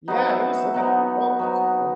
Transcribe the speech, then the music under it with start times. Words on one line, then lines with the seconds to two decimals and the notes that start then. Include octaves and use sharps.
Yeah, he was living on the boat, so.
0.08 F#3 B3 D#4
0.18 F#5
0.29 E5
0.40 F#5
0.74 F#3 B3 D#4
1.39 F#3 B3 D#4